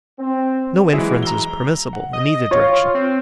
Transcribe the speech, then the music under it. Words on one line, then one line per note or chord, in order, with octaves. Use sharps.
No inference is permissible in either direction.
C4
E3 F#3 G#3 E4 G#4
A#5 E6 G7
F#5
D#5
F4 C#5
C4